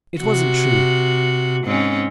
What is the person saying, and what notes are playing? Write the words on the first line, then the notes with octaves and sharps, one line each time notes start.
It wasn't true.
C3 F#4
G#2 C4 C#4